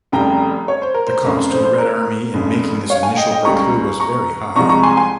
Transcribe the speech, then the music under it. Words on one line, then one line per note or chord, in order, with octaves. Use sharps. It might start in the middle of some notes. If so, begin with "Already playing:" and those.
The cost to the Red Army in making this initial breakthrough was very high.
F1 F2 C#3 G3 G5 A#5
C#5
C5
A#4
C5
F1 F2 C#3 A#4
C5
C5
A#4
F1 F2 C#3
C#5 F5
F5 G#5
D#5 G5
D#5 G5
C#2 C#3 G3 A#5 C#6
A#5 C#6
C2 C3 F3 G#3 A#5 C#6
A#5 C#6
G#5 C6
G#5 C6